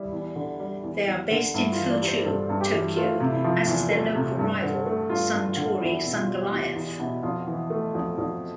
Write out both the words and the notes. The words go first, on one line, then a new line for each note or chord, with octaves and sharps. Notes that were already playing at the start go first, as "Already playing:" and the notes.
They are based in Fuchu, Tokyo, as is their local rival Suntory Sungoliath.
Already playing: G3 E4
E2
D3
G3
E2
E2
D3
G2 E4
F4
E3
D5
G3
C5
G2 A4
G2
G4
E3
A3 F4
C3
E4
F3
E2
A3
C3
G2
D3
A3
G2 F4
G2
F4
D3
E2 E4
B2
F4
G3
G4
E2 F4
E2
B2 E4
F2 F4
E3
A3
F2
F2